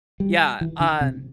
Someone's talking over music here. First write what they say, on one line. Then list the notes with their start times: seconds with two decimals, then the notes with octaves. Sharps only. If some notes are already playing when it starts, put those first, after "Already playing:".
Yeah, um,
0.20 G3
0.61 E3
0.80 D3
1.01 C3